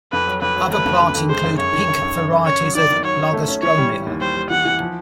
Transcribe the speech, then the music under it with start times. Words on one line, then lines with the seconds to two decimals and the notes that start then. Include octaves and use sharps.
Other plants include pink varieties of Lagerstroemia.
0.12 F2 B4
0.27 F#3
0.42 F2 B4
0.56 F#3
0.71 A3 B4
0.86 F2
1.00 D3
1.15 F2
1.29 G#3 C5
1.43 F#2
1.58 F#2 C#5
1.73 D#3
1.88 F#2
2.02 F#2
2.17 F#2
2.32 F#2
2.46 C#4 C#5
2.61 F#3
2.75 D#3 D5
2.90 D#3
3.04 F#3 C#5
3.19 C#4
3.33 A3
3.48 C#4
3.63 E3 C#5
3.78 G3
3.91 G3
4.06 D#2
4.21 G3 C5
4.36 G3
4.50 E3 F#5
4.65 E3
4.80 F3